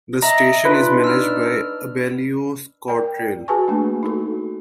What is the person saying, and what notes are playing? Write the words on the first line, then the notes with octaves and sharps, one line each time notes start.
The station is managed by Abellio ScotRail.
D#5 E5 A#5
D4 D#4 F4 B4
E6 F6
A#4 D5 G5
F#4 G#4 B4 G#5 A5 C#6
A3 A#3 D4
D#4 F#4 A4